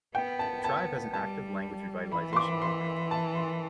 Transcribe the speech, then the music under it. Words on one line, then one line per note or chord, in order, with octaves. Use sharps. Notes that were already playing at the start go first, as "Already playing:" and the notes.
The tribe has an active language revitalization program.
B3 G5
A5
A5
G3 A5
E3 B5
C6
D6
C6
A5
C6